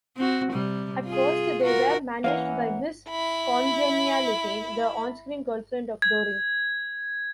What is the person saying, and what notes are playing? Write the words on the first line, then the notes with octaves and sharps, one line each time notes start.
At first, they were managed by Miss Congeniality, the onscreen girlfriend of Doring.
C4 F#4
C3 G3
F4 G#4
F4 F#4 A#4
E3 A#3 C#4 A#4 F5 F#5
E4 B5
G#6